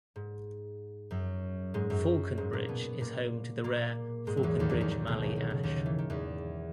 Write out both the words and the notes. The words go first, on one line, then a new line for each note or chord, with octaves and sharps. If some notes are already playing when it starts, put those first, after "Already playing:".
Faulconbridge is home to the rare Faulconbridge Mallee Ash.
G#2
F#2 F#3
G#2 G#3
F#2 F#3
G#2 G#3
A#2 A#3
B2 B3
A#2 A#3
A#2 A#3
G#2 G#3
F#3
E2 E3
D#2 D#3
E2 E3
D#2 D#3
D#2 D#3
B1 B2
E3
D#3
C#3
D#2 D#3
E3
D#3
E2 E3